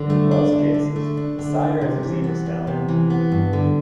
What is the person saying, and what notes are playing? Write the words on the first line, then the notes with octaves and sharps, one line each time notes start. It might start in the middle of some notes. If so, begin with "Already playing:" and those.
In most cases, the sire is a zebra stallion.
Already playing: D3
A3
D4
D3
D3
A3
D4
D3
E2
C3
E3
B3
E2
C3
E3
B3
G2
D3